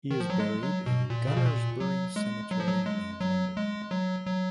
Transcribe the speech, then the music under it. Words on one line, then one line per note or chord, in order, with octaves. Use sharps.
He is buried in Gunnersbury Cemetery in London.
D#3
F3
F#3
G#3
F#3
B2
A#2
C#3
B2
A#2
F#3
G#3
F#3
F3
F#3
G#3
F#3
G#3
F#3
F#3